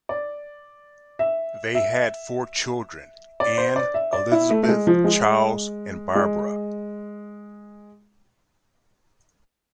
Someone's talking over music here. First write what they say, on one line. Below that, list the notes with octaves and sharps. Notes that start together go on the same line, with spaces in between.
They had four children: Anne, Elizabeth, Charles, and Barbara.
D5
E5
E5
D5
C5
D5
E5
D5
E4
A3
A3
G#3
F3
G#3
G#3